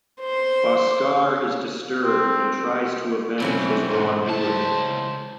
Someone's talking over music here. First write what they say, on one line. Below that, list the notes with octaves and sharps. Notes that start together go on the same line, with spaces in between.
Bhaskar is disturbed and tries to avenge his wrongdoings.
C5
C4
F#2 B2 E3 C4 C#4
F2 G#2 C5
C#2 A5